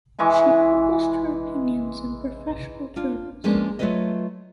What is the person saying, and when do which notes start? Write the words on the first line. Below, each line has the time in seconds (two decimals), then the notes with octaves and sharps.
She published her opinions in professional journals.
0.19 E3 G#3 C#6 D6
2.96 D4 F4
3.44 F3 G#3 A#3 B3 C#4 D4
3.79 F#3 A3 F4 B4 C#5 D#5